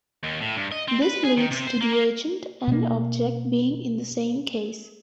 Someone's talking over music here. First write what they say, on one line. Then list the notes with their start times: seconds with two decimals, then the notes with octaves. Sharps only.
This leads to the agent and object being in the same case.
0.23 D#2
0.41 A2
0.57 G2
0.72 D#5
0.88 C4
1.02 B4
1.23 G#4
1.37 D#3
1.50 C3
1.67 C5
1.81 A#3
1.93 A#3
2.67 B2 A#3